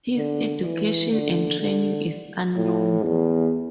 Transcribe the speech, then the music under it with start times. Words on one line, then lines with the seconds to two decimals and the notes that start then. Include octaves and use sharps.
His education and training is unknown.
0.17 D3
0.64 E3
1.12 D3
1.60 D3
2.56 A2
3.04 E2